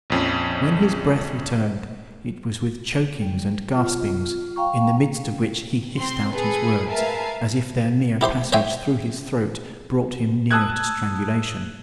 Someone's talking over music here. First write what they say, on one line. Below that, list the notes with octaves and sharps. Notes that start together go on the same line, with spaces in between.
When his breath returned, it was with chokings and gaspings, in the midst of which he hissed out his words, as if their mere passage through his throat brought him near to strangulation.
A#1 F2 C#4
G3
F4
F5 G5 A#5 C#6
C4 C6
G#4 A4 B4
A#4 B4 E5 F5 G#5 A5
E4 G4 C5 C6
C5 C#5 E5 G5 G#5
A5 D#6 E6 F#6 G#6